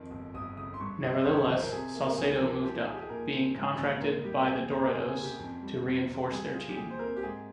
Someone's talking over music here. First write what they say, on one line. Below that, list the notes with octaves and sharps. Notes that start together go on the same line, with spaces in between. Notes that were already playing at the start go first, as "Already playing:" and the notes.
Nevertheless, Saucedo moved up, being contracted by the Dorados to reinforce their team.
Already playing: F2 D#3
G1
G1 D#6
C#3 D#6
C6
G2 C#6
G1 D#5
C5
G1 C#5
C5
F3 C5
A#4
C3 G#4
A#3
A#4
C#2 G#4
F3 A#4
F3 G4
D#4 G#4
G4
G#4
A#2 A#4
C4
G#2
A#1
A#1 A#4
G3 G4
G4
D#2 G#4
F1 C5
A#4
F1 G#4
G#4
C#3
G4
F2
G3
F1
C3
G3 G#4
F4 G#4
G4
A#2 G#4
C5
C4 A#4
G4
G#2 G#4